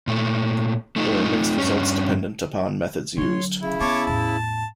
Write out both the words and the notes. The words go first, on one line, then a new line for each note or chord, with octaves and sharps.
There were mixed results dependent upon methods used.
A#2 A3
A3 D#4 F4
G2 C#4
D3 F#3 C#5 C6
C#3 E4
B3 C#5 A5 D6
E2 A2 A5